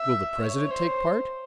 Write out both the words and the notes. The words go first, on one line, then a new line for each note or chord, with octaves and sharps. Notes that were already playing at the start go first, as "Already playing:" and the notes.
Will the President take part?
Already playing: E5
C#5
C5